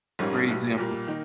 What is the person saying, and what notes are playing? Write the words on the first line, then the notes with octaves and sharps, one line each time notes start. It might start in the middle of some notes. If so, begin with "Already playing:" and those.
great example.
A#1 G#2 G3 A#3 C#4
B1 B2 G3
A#2 G3 A#3
D#3 A#3 D#4